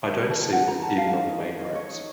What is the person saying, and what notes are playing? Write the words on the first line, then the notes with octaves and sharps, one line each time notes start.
I dont see them even on the mainroads.
A#4 A#5
A5
A#4
A5
A4 F#5
A4 A#5
A#4 A5
A#4 F5
D#4
D#4
A#4 F5
C#4 D#5
A4 C#5
D#4